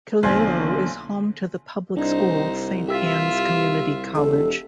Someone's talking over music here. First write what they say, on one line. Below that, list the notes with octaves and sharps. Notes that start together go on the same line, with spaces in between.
Killaloe is home to the public school Saint Anne's Community College.
B1 E2 A#2 D3 C5 G#5
C2 D4 D#4 C5
F4 G4 E5 E6 B6
E1 A4